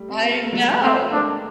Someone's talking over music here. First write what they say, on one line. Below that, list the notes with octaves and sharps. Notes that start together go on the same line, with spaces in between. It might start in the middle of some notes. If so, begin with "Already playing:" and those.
I know!
Already playing: G3 A3
C4
B3
A#3
A3
F#3 G#3
A3 B3
A3 B3 C4
A3 B3
G#3 A#3 D4